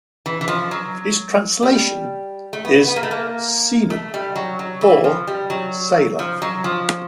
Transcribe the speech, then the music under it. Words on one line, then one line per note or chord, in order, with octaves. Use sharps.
Its translation is "Seaman" or "Sailor".
E3
E3
F3
F#3
G3
A3
B3
B3
A#3
A3
A#3
A3
G3
F#3
F#3
E3
F3
G3
F#3
F3
F#3
F3